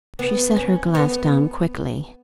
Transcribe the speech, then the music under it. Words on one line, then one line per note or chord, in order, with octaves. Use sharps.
She set her glass down quickly.
B3
C#4
B3